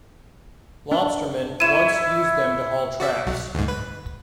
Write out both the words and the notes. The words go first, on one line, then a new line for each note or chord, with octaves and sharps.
Lobstermen once used them to haul traps.
D4
E4 C#5 E5 D#7 E7
F#4 D5 E5
B1 F#3
D2 G#2
B4